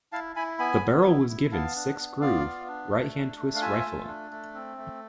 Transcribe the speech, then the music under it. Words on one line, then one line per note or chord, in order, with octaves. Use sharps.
The barrel was given six-groove, right-hand-twist rifling.
E4 F5 A5
E4 G#5 B5
B3 G#5 B5
B3
E4
E4
B3 F5 A5
D4
B3
F4 D5 F5
B3
D4
A3
D4
A3
F5
F4 E5 G#5
A3
D4
A3
C4
A3